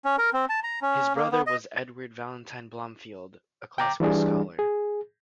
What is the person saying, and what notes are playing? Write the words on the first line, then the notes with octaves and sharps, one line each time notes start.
His brother was Edward Valentine Blomfield a classical scholar.
C#4
A#4
C4
A5
A#5
C#4
A#3
B3
D#5
G5 A#5 D6
E3 G3 D4 G#4
G#4